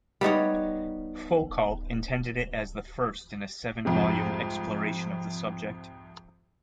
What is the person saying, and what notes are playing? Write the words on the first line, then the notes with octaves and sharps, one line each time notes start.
Foucault intended it as the first in a seven-volume exploration of the subject.
G3 B3 D#4 C#5
C2 F2 G#2 C3